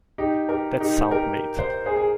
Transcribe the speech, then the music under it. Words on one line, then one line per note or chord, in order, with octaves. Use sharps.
That's sound mate.
D#4 G4
G4 A#4
D#4 G4
G4 A#4
C5
G#4 C5
G#4